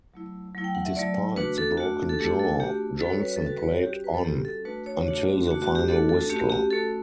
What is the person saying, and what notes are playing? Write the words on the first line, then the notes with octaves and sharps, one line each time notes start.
Despite the broken jaw, Johnson played on until the final whistle.
F#3 A3 E4
F#3 A3 E4
G5
F#5
E5
F#3 A3 E4 D5
A3 D4 F#4 B4
A4
A3 D4 F#4
A4
A3 D4 F#4 G4
A4
A3 D4 F#4 G4
G3 C#4 F#4 A4
C#5
B4
A4
G3 C#4 F#4 B4
B4
C#5
G3 C#4 F#4 G4
B4
A4
G3 C#4 F#4 G4
A4
A3 D4 F#4 B4
C#5
A3 D4 F#4
A3 D4 F#4
F#4
G4
A3 D4 F#4 A4
A4
A3 C#4 F#4 G4
G4
A3 C#4 F#4 A4